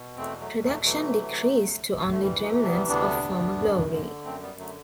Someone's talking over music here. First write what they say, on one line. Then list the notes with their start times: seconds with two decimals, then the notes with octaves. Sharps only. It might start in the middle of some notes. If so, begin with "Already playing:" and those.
Production decreased to only remnants of former glory.
Already playing: B2
0.17 E2 A3 C4
0.40 F#3 A3
0.51 B2
0.62 F#3 A3
0.85 E3 F#3 A3
1.18 C3
1.53 D2
1.87 D2
2.11 A3
2.21 E3 G3
2.43 F#3 A3
2.54 C3
2.62 A3
2.66 G3 B3
2.88 D2 B3 D4
3.23 D2
3.57 F#2
3.90 D3
4.24 F#2 A3 C4
4.42 G3 B3
4.58 D3 F#3 A3